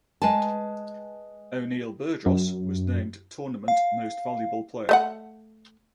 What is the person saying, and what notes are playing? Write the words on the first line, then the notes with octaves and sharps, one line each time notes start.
O’Neill Burgos was named Tournament Most Valuable Player.
G#3 B4 G#5 A5
F#2
F5
A3 D#5 F#5